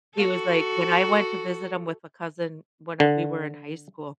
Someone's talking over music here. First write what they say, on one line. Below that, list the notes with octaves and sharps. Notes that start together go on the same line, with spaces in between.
He was, like, when I went to visit him with a cousin when I we were in high school,
F#4 A4
D3